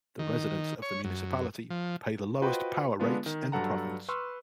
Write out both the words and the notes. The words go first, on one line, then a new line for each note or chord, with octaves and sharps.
The residents of the municipality pay the lowest power rates in the province.
D#3
C#5
F#2
F3
F4 F#4 B4 C5 D#5 G5
D3 G#3 B3 D4 F4
D#3
G2 F#3 A4 F#5 A5 A#5
B4 C6 C#6 E6 F6